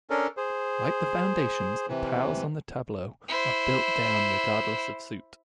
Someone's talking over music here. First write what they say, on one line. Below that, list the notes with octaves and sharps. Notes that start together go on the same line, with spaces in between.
Like the foundations, the piles on the tableau are built down regardless of suit.
C#4 D4 A4 A#4
G#4 C5
C3 E3
E4 C5